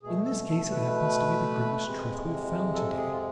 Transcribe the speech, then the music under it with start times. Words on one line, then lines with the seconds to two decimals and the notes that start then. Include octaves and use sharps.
In this case it happens to be the greatest truth we have found today.
0.03 B2 A3 G#4
0.25 A4
0.48 A4
0.71 B4
1.84 F2 C3 G#3
2.74 A4
2.97 G#4
3.12 F4